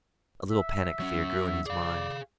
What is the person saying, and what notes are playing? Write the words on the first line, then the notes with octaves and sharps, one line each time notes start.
A little panic-fear grew in his mind.
E5
F#3 C#4
G#4 D5 F5